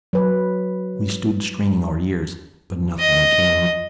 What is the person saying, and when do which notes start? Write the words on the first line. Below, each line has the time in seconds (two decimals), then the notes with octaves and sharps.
We stood straining our ears, but nothing came.
0.13 F#3 B4
2.99 D#5